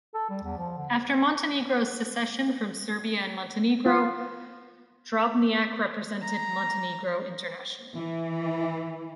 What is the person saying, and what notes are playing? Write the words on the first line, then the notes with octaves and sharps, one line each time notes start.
After Montenegro's secession from Serbia and Montenegro, Drobnjak represented Montenegro internationally.
A4
G3
E2
F3
D3
F4
A#5
E3